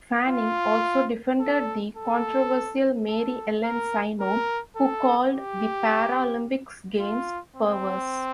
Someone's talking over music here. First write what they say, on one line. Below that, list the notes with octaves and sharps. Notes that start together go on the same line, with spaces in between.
Fanning also defended the controversial Mary Ellen Synon, who called the Paralympics games 'perverse'.
F4
A4
A4
A4
A#4
A#4
A4
G4
F4
C4